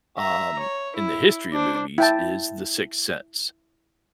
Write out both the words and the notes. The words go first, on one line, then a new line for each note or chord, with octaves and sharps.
um, in the history of movies, is The Sixth Sense.
E5 A#5
C#5
E4
D4 C5
E4 G5 A5